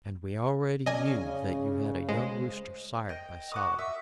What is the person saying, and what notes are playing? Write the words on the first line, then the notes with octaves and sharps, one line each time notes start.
"And we already knew that you had a young rooster sired by Solomon."
C#3 C#4 D5 D#5 G#5
G#3 C5
D#5 G5
F#4 D6 D#6
E5